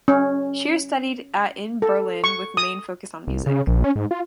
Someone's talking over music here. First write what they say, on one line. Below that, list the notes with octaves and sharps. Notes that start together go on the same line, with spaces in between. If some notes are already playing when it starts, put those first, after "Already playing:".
Scheer studied at in Berlin with main focus on music.
C#4
A4
C#6
D#6
C2
C#3
A#1
C#4
G#2
F4